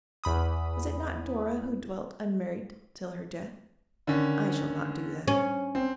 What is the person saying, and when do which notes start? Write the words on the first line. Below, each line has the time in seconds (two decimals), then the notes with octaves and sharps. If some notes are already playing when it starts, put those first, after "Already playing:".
Was it not Dora who 'dwelt unmarried till her death?' I shall not do that.
0.24 E2 B5 D#6
4.07 D3 D#3 C#4
5.28 C#4
5.75 C4